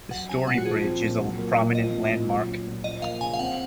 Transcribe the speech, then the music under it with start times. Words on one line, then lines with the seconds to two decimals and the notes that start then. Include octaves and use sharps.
The Story Bridge is a prominent landmark.
0.10 F#3 F#5
0.29 C#4 G#5
0.47 A#2 F#5
0.58 F#4
0.65 F3 G#4
0.84 C4
1.01 A#2
1.20 F#3
1.38 A#3
1.56 A#2
1.75 F3 D#5
1.93 C4
2.11 A#2
2.30 F#3
2.47 C#4
2.66 A#2
2.84 F3 D#5
3.02 A#3 F5
3.21 C#3 G#5
3.33 F5
3.39 C4 F#5